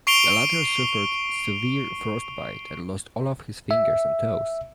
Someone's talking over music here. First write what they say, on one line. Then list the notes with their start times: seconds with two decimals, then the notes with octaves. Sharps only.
The latter suffered severe frostbite and lost all of his fingers and toes.
0.07 C#6 C7 D7 F7 G7
3.71 E5